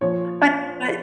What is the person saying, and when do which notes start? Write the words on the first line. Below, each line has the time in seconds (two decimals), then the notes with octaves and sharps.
But but
0.01 A#2 F3 C#5